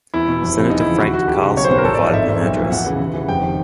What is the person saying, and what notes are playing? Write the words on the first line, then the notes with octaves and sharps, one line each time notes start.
Senator Frank Carlson providing an address.
E2 E4
B2
F1
F2 C3 F3
E2 D#4
E4
C#3 F3
D#2 F#4
D#3 F#4
C#2 G4
C#3 E3
B1 C#5
C5
B2 B4
A#4
A1 A4
D5
G#2 F3 D#5
G#1 E5
G#2 E3
B1
A#2 F3
E2 F#5
C#3 E3
D#2
C#3 E3
F1 G5
D#3